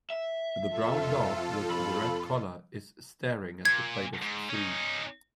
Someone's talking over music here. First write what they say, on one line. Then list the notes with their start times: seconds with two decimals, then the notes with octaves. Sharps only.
The brown dog with the red collar is staring at the plate of food.
0.10 E5
0.67 F2 F4 A4
1.71 B5
3.65 A#2 G#6
4.22 G#2
4.50 C#4 D#4